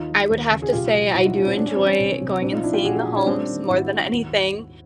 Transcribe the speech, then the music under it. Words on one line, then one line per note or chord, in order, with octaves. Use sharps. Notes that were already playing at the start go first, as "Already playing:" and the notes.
I would have to say I do enjoy going and seeing the homes more than anything.
Already playing: D#2 D#4 F4
F3
D#2
C#3
G#4
B1 F4 G4
F3
B1 E4 F#4
D#4 F4
A#2 C#4
C4
G3 D4
C#4
E3 C4
C#4
C2
C3
A#1 C4 D4
D#4 F4
F3 D4 E4
F4 G4
A#1 F#4 G#4
A#2
C#4 D#4
G3 C4 D4
D#3
G#1 E4 F#4
G#2
D#2